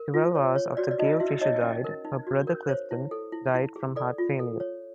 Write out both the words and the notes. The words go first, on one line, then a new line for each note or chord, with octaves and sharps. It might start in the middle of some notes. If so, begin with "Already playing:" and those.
Twelve hours after Gail Fisher died, her brother Clifton died from heart failure.
Already playing: A#4
F4
C#5
C#5
F#4 D5
D5
D#4 F#4 D#5
E4 F#4 E5
D#4 C#5 D#5
C#4
A#4
D#4
F#4
A#4
C5 C#5
E4
A4
E4
E4
G#4
A4 D5
F4
A4
C#5